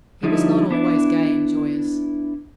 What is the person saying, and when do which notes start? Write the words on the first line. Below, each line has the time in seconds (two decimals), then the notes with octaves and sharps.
He was not always gay and joyous.
0.23 D3 F3 G3 D#4 E4
0.71 B3 D4 E4